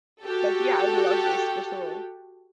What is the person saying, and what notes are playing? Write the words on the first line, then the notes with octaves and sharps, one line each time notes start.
Like, yeah, I'd love this for sure.
F#4 G4 A4